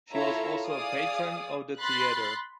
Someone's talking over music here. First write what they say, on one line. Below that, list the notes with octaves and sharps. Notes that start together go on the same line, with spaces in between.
She was also a patron of the theatre.
E4 F4 A4 C#5 E5 A#5
G#4 D5 F5 D#6
B5 C6 F#6 A6 C7